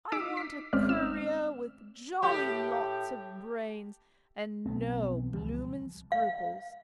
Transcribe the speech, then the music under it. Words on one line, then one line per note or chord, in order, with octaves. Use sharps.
I want a courier with jolly lots of brains and no blooming scruples.
D#4 D6 E6 B6 D7
B6
G#1 G#3 C4 C#4 D5 F6
E6
A2 G4
B1 B3 C4
C#2 E3 F3 G3
F5